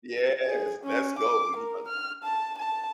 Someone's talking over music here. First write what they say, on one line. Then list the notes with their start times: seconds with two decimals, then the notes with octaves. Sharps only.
Yes. Let's go. You hu
0.46 G#4
0.84 C#4
1.19 D6
1.56 A#4
1.88 F6
2.24 A5
2.58 A5